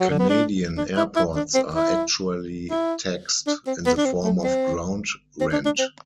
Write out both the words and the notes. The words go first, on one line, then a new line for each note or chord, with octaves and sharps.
Canadian airports are actually "taxed" in the form of ground rent.
F#3
D3
B3
D4
D4
E4
E4
D4
C4
E4
E4
D4
C4
B3
D4
C4
A3
C4
C4
D4
D4
C4